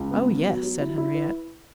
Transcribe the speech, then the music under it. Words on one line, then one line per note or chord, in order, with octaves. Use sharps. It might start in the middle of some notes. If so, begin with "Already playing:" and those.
"Oh yes," said Henriette.
Already playing: C#2
B3
B3
F#3
F#3
E4
E4
B4